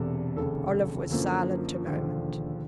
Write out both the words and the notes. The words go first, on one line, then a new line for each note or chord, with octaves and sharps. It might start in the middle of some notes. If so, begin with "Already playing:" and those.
Olive was silent a moment.
Already playing: E1 E2 C3 A4
F1 D#2 C#3 A4
F#2 D3 F3 A#3
E1 D#2 D3 F3